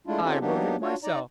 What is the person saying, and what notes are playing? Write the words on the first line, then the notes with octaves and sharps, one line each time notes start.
"I wrote it myself."
G#3 A3 D4 E4 F4
C4 C#4 D#4 F4 G4 A4
F#3 A#3 B3 D4 D#4 G4
D4 F4 F#4 C#5
D#4 D5 A#5